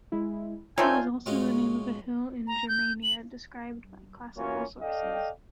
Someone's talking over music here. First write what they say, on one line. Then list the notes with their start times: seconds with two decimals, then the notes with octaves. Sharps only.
It was also the name of a hill in Germania described by classical sources.
0.12 G#3 E4
0.78 D#3 A3 C4 F4 C#5 D5 G#5 G6
1.26 A2 G#3 C#4 F4 F#4
2.47 A#5
2.69 G6
3.03 F#7
4.36 E3 A#3 C#4 F4 F#4 C#5
4.81 A4 D5 D#5 F5 G5